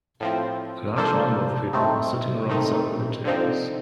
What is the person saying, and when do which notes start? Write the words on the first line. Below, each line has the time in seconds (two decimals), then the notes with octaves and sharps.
A large number of people are sitting around several tables.
0.20 A2 F3 C4
0.96 F3 A#3 D4 A4 C5
1.73 A2 A3 C4 D#4
2.49 D#3 A3 C4 D#4
3.25 D3 F3 C4 D#4